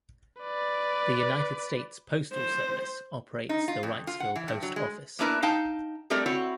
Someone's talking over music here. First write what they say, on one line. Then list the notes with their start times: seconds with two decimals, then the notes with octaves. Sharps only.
The United States Postal Service operates the Wrightsville Post Office.
0.41 B4 D5
2.33 C5
3.49 D#4
3.68 F4
3.83 F2
4.07 F4
4.20 F#5
4.36 E3
4.48 G2
4.63 F#3
4.76 G#3
5.19 A#3 B3 D4 E4 A#4 B4
5.43 D#4 F5 G5 A5
6.10 G3 A3 C4 G4 A#4 D5
6.26 C4 E4 F#4 C#5